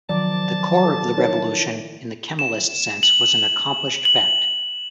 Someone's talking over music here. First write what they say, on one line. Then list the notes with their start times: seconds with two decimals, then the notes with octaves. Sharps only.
The core of the revolution, in the Kemalist sense, was an accomplished fact.
0.09 D#3 F3 F#3 D5 A5
0.83 A4 D6
1.17 D#4 E4 A#4 C#5
2.39 E7
3.03 F#7
4.05 F#7